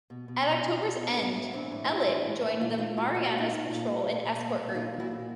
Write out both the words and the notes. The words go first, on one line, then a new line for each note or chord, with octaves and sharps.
At October's end, "Ellet" joined the Marianas Patrol and Escort Group.
B2
B2
B2
B2
B2
B2
D4
A2 B3 C#4
A2
E3 C4 D4
A2
D#4
A2 D4 E4
E3
A2
E3
A#2 D#4 F4
F#4
A#2 D#4 F4
A#2 E4 F#4
A#2 F4
F#4
A#2
D#4 F4
A#2
A#2
A#2
A#2
A#2
A#2
A#2
F#4
A#2 D#4 F4
A#2
E4 F#4
A#2